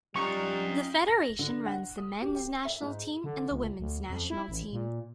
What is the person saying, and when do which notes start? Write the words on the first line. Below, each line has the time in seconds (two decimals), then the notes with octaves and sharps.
The Federation runs the men's national team and the women's national team.
0.16 G3 C#4 D#4 F4 G5 A#5 C#6
1.08 A#6
1.39 D3
1.66 F#5
1.98 D#6
2.22 G4
2.35 G5
2.65 E5
2.81 G#2
3.24 D3
3.51 C#2
3.80 D2
4.10 F2
4.30 E4
4.48 A1
4.72 A#2